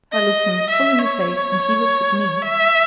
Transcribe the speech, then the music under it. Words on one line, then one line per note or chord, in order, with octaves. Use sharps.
I looked him full in the face, and he looked at me.
D#5
E5
C#5
E5